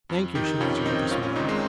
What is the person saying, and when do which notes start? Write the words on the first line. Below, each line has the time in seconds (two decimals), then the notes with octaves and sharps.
"Thank you," she answered, with a smile.
0.10 F2
0.35 D#3 D#4 G4
0.60 F2 C#4 F4
0.85 D#3 C4 D#4
1.11 G#1 C#4 F4
1.23 C#4 F4
1.36 G#2 C4 D#4
1.39 D#3
1.49 G#3 C4